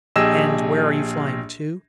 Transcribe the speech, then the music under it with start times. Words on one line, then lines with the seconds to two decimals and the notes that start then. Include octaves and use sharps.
"And where are you flying to?"
0.16 A#1 G4 G#4 D#5 E6 E7